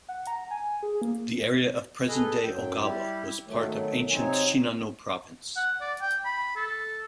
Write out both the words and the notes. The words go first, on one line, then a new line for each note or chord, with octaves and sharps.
The area of present-day Ogawa was part of ancient Shinano Province.
F#5
A#5
G#5
G#4
A#3
G#4 A4 B4 D#5
F#2 F#3 G5
G3 E4 G4
D#3 F#3 A3
C3 F#3 C4 D#4 C#5 G#5
F#5
D5
G5
B5
A4